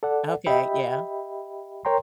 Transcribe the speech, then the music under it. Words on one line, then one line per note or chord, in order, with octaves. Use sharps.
Okay, yeah.
A4 D5 F#5
G4 D#5 E5 G5 B5
A#4 C#5 G5 A#5 C6